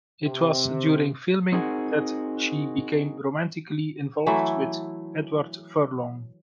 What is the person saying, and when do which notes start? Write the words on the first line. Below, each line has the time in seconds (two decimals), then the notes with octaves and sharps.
It was during filming that she became romantically involved with Edward Furlong.
0.23 C3
1.52 C4 D#4 F#4 G#4 A#4 F#5
4.26 E3 F#3 A3 E4